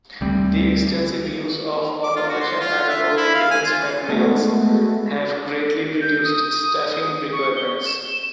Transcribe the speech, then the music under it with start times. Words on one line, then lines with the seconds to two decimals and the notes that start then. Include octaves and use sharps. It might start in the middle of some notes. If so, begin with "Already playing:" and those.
The extensive use of automation and low maintenance materials have greatly reduced staffing requirements.
0.21 D2 G3 C4
2.03 D6
2.16 F4
2.29 F#4
2.41 C6
2.60 F4
2.89 E5
3.03 F4
3.17 E4
3.34 F5
3.51 G#5
3.66 F4
4.09 G#3 A3 B3 F#4
6.02 G6
6.24 D#6
7.33 C#6
7.56 G7
7.86 E7